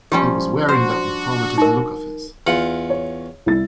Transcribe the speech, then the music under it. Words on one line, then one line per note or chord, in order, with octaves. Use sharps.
He was wearing that informative look of his.
F3 G3 C#4 G4
D4 F#4 C5
D#4 A#4
E2 F4 F#5
C#5
C2 E4 A6